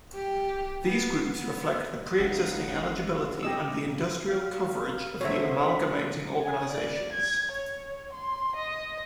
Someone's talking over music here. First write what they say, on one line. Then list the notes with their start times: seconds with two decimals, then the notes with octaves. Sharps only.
These groups reflect the pre-existing eligibility and industrial coverage of the amalgamating organisations.
0.15 G4
0.83 B3
1.38 B3
2.19 F#1 C#2 D#4 F5 F#5
3.43 G4 D#5 E6
4.29 F#4 F5
5.21 B2 D3 F#3 G#4 C5 C#5 E5
5.67 B5
6.42 G#5
6.70 D5
7.13 G#6
7.52 C#5
8.13 C6
8.56 D#5